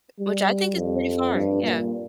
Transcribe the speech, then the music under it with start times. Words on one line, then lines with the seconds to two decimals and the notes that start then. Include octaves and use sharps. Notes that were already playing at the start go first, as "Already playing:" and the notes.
which I think is pretty far. Yeah.
0.20 G3
0.77 F2
1.34 G2
1.63 A#2